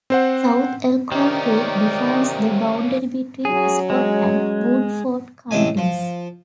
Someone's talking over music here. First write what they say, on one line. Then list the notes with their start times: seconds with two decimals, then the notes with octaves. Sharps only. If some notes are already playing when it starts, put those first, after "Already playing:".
South Elkhorn Creek defines the boundary between Scott and Woodford counties.
0.10 C4 C5 F#5
1.12 C3 D#3 A#3 C#4 D#4 D5
3.45 F#3 C#4 G#4
3.90 G#3
5.51 A1 C3 A3 D#5 G#5
5.77 F3